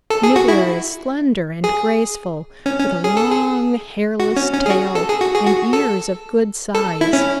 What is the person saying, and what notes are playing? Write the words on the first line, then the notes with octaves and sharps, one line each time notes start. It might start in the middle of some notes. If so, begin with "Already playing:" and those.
Nibbler is slender and graceful, with a long, hairless tail and ears of good size.
A4
G#4
F#4
E4
G#4
C#4
C#4
G#4
A4
G#4
F#4
C#4
C#4
G#4
F#4
A4
G#4
F#4
G#4
F#4
A4
A4
E4
C#4